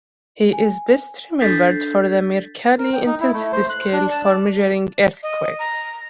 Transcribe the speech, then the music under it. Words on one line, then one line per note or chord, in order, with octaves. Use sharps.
He is best remembered for the Mercalli intensity scale for measuring earthquakes.
G#5
D4 A4 G6 A6 B6 C7
A#4
G5
D#4
E4
A3
C5
F#6
D4
A5
D5
D#5
A#5